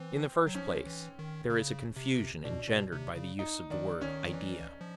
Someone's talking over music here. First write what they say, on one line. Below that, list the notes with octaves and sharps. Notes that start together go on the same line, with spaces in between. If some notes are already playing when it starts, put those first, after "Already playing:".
In the first place, there is a confusion engendered by the use of the word 'idea'.
Already playing: E3 C4
F#3
F3 C#4
E3
D#3
C#3
C3
B2 D4
B2
C3
C#3
D#4
D#3 D4
D#3 C#4
D#3
E3
F3